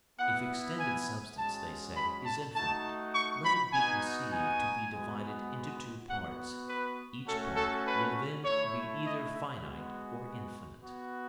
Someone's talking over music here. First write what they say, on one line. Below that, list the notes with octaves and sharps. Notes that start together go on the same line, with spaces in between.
If extended substance, they say, is infinite, let it be conceived to be divided into two parts; each part will then be either finite or infinite.
B3 E4 F#5
G#5
G#3 C#4 F#4 A5
B5
A5
A3 D#4 F#4 A5
C#6
B5
B3 D#4 F#4 G#5
G#5
G#3 B3 F#4
B3 F#4 F#5
B4
A3 C#4 F#4 A4
A4
B4
A3 E4 C#5
D#5
E5
G#3 B3 F#4
B3 F#4